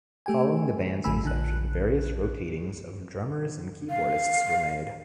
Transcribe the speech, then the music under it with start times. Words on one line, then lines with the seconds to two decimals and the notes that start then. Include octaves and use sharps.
Following the band's inception, various rotatings of drummers and keyboardists were made.
0.26 A3 G4 G5 G#5
1.04 A1 D3 A3 G#5 B5 E6
1.23 A#1 D3 F#6
3.90 F5